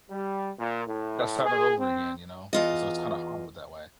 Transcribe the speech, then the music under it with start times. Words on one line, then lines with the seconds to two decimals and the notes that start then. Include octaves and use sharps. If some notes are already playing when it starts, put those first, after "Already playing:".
gotta start all over again, you know, and so, it's, kinda, hard with that way,
0.10 G3
0.58 A#2
0.87 A2
1.45 G#4
1.79 C4
2.53 E2 F4 D#5